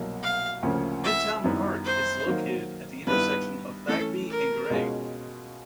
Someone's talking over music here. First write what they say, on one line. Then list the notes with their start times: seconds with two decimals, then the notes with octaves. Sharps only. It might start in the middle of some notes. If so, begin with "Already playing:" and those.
Midtown Park is located at the intersection of Bagby and Gray.
Already playing: C2 B2 F#3 A#3
0.23 F5
0.63 D2 C#3 F3 A#3 C#4
1.04 E5
1.44 F#2 D#3 G3 B3 E4
1.84 C5
2.26 D#3 F#3 A#3
3.07 G2 D#3 G3 B3 E4 B4
3.88 E3 A3 C#4 A4
4.30 A#4
4.70 B2 G#3 C#4 F4 G#4